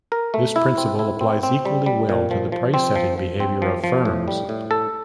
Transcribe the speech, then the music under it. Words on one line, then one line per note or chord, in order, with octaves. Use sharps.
This principle applies equally well to the price-setting behavior of firms.
A#4
A3
E4
C4
E4
C4
C4
G3
G3
A#2
F3
F3
C4
F3
F3
C4
F3
F3
A2
G3
A2
A4